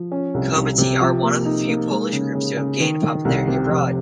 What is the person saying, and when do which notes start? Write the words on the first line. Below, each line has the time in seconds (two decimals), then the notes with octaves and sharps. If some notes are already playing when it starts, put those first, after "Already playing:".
Komety are one of the few Polish groups to have gained popularity abroad.
Already playing: F3
0.12 C#4
0.34 C2
0.56 C2
0.78 C3
1.01 F3
1.23 A#3
1.46 D#4
1.68 A#3
1.90 G#3
2.12 C#3
2.35 C#3
2.57 C#3
2.80 D#3
3.03 D#3
3.25 C2
3.48 C3
3.69 F1